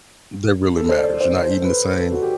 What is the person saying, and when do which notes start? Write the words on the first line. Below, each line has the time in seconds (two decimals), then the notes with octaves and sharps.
That really matters, you're not eating the same.
0.77 A4
0.89 C5
0.99 D5
1.21 C5
1.43 C5
1.64 B4
1.93 A4
2.12 F#4
2.22 G4